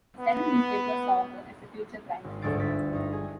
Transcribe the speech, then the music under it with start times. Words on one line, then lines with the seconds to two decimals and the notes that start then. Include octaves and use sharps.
Several newspapers saw her as a future prime minister.
0.19 B3
2.24 G#1
2.42 G1 D2 G#2 D3 A6 D7
2.60 E5 A6 B6
2.93 G2 D#4
3.13 G#4